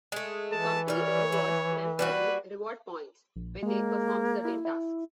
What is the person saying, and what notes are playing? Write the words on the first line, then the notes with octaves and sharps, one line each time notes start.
The company rewards members with 'reward points' when they perform certain tasks.
G#3 A3
E3 A5
G3 A#4 C#5
E4
G3 A#3 F#4 B4
A#1
G#3 A#3
E4
E4